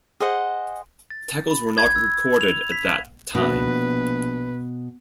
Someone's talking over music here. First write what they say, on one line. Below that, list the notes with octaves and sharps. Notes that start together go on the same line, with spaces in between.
Tackles were not recorded at that time.
G#4 C5 D#5 F#5
A6
B5
G#6
E6
F7
B6
A#1 B2 B4